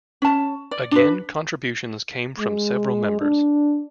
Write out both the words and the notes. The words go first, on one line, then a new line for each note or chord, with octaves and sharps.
Again contributions came from several members.
C#4 A5
D5
D4 B4
G#3
D4